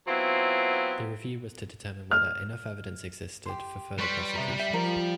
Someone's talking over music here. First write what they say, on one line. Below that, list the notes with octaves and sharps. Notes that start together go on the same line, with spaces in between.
The review was to determine whether enough evidence existed for further prosecutions.
F#3 B3 C4 E4 F4
F6
G4 C6
G3 B4 C#5 C6
C3 E5 A#5
E5 G5
F3 F4 A#4